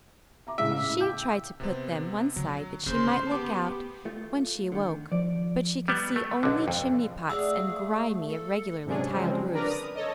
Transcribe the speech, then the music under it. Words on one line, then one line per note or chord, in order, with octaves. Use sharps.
She had tried to put them one side that she might look out when she awoke, but she could see only chimney-pots and grimy, irregularly tiled roofs.
E5 A#5 D6
A2 C#3 G#3 E5
F5
E4
G5 D6 G6
C3 B3 C4
D3 F#3
C#3 A3 C#4 C5 C6
B3 G4 A5 D6
A3 F4
D3 D#3
F3 D5
G3 B3
A3
B1 D3
F2
A3 F#4 G#4 D5 F5 E6
A4
G#2 C3 F#3 C#4 D4 G#4
C#3 F3 G3 G#3 C4
D3 D4 A#4 B4 D5 A#5
D#6
A4 C#5 D#5